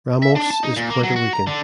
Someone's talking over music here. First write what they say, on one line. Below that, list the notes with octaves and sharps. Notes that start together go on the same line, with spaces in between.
Ramos is Puerto Rican.
E5
D4
A5
D#4
A#2
A#3
F#3
F#4
A#5
D3